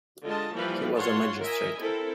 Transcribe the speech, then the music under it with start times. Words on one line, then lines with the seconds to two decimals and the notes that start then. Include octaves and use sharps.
He was a magistrate.
0.25 D3 G#3 F4 D#5 A5
0.54 E3 F3 G3 A#3 B4 F5
0.95 F4 C#5 F5 F#5 A5 C6
1.43 A#4 D#5 E5 G#5
1.79 C4 E4 A4 A#4